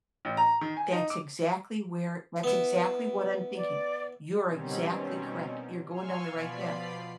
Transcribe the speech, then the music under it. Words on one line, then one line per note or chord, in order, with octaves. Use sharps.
That's exactly where that's exactly what I'm thinking. You're exactly correct, you're going down the right path.
A1
A#5
D#3
G#5
D#4
D6
B3 E4
D5
B2 D#3 G3 C4 C#4
F5 G#5 C6 C#6 E6 F6
B2 F3 F4 D5 B5 C7